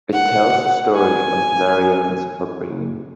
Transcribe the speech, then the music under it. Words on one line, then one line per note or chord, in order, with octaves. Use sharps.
It tells the story of Narayan's upbringing.
F#5
G#5